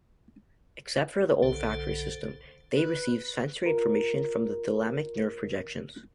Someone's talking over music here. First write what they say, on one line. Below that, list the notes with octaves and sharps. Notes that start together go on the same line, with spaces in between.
Except for the olfactory system, they receive sensory information from thalamic nerve projections.
B1 D3 A4 C5
B4
F4 A#4